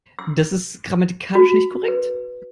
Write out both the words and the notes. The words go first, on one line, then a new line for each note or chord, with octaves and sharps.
Das ist grammatikalisch nicht korrekt.
E6
F#4
B4